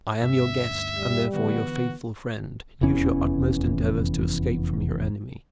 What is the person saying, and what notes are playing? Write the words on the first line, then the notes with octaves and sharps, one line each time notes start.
I am your guest, and therefore your faithful friend; use your utmost endeavours to escape from your enemy.
D2 G2 C#4 E5
G3
D3 E3 B3 F#4
F1 E2 E3 C#4